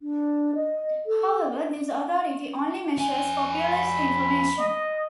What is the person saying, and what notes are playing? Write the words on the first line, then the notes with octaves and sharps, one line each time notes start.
However, this authority only measures populist information.
D4
D#5
A4
F2 G#5
B5
D#5